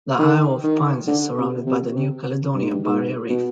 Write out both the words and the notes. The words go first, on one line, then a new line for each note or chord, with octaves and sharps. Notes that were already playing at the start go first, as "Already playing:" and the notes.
The Isle of Pines is surrounded by the New Caledonia Barrier Reef.
D#3
D#3
D3
C3
C3
C3
G2
G#2
G2
G#2
B2